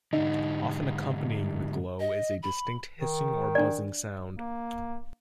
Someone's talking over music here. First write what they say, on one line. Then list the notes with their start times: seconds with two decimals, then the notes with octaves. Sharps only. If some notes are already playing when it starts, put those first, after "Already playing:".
Often accompanying the glow is a distinct hissing or buzzing sound.
0.13 G#2 D3 D#4
2.00 D#5
2.43 B5
2.99 D#3
3.55 D4 D5
4.36 A#3